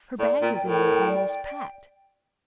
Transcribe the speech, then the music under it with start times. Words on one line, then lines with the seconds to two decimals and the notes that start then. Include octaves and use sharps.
Her bag is in there almost packed.
0.19 A2 D5
0.41 A#2 G5
0.63 A2 A#4
0.85 G5
1.06 D5
1.28 G5